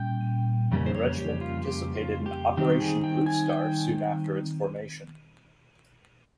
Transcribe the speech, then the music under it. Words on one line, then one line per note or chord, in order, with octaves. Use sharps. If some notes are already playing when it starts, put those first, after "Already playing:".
The regiment participated in Operation Bluestar soon after its formation.
Already playing: A#2 G3 C#4 G5
F2 C#3 G3 A#3 C#4
C5
C#5
G4
F4
G4
F4
G4
D#3 G3 C4 D#4 G4
G#4
G5
G#5
G5